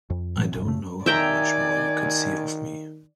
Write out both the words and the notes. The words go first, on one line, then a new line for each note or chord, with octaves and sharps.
I don't know how much more you could see of me.
F2
A2 E3 F#3
F1 A#1
F#2 C#3 A3
D#3 D5 E5 G5 G#5 A#5